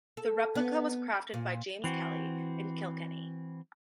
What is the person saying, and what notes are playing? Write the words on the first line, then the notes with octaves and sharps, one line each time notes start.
The replica was crafted by James Kelly in Kilkenny.
A4
B3
A#2
E3 C4 F#4